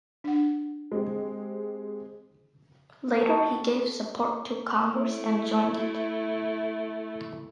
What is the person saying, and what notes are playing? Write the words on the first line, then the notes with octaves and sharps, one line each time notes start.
Later he gave support to Congress and joined it.
D4 F#5
G#3 C4 G4
F#4 A4 G5
A3 E4